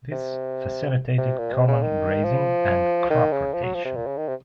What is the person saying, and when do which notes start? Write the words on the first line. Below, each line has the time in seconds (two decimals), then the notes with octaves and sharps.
This facilitated common grazing and crop rotation.
0.11 C3
1.18 C3
1.39 A#2
1.53 C3
1.68 C#3
1.82 D#3
2.24 F3
3.10 D#3
3.32 C#3
3.53 F3
3.63 F#3
3.74 F3
3.85 C3
3.96 A#2
4.07 C#3
4.17 D#3
4.28 C3